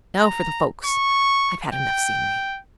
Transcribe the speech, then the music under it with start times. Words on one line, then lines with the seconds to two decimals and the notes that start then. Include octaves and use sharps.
"Now for the folks--I've had enough scenery."
0.19 A#5
0.86 C#6
1.74 G5